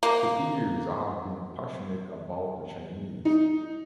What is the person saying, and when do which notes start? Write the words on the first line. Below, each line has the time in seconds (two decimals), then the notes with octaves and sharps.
For years I have been passionate about the Chinese.
0.03 A#3
3.25 D#4